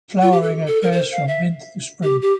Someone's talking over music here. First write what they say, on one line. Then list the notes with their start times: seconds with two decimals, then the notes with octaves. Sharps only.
Flowering occurs from winter to spring.
0.22 F4
0.32 G4
0.42 A4
0.67 A4
0.82 A#4
0.92 C5
1.12 F5
1.28 E5
2.03 G4
2.22 G4